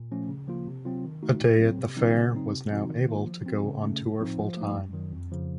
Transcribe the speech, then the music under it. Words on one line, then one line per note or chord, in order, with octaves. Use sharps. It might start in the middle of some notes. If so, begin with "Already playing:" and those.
A Day at the Fair was now able to go on tour full-time.
Already playing: A#2
F3 A3 C#4
C#3
F3 A#3 F4
C3
F#3 C4 F4
D#3
A3 D#4 F#4
A2
F#3 C4
C3
D#3 F#3 C4 D#4
C#3
F#3 C4 D#4
C3
F3 C4 D#4 F#4
D#3
A#3 F4
F3
C4 F#4
C#3
A3 C#4
A2
F3 C4 D#4
F3
A3 D#4
F#2
D#3 F#3
F2
C#3 F3